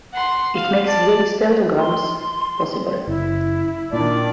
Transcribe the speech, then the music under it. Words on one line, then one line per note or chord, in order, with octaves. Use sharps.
It makes viewing stereograms possible.
F#5 C6
F5
D5 A5
C6
F#1 E4
A#2 D#3 D4 D5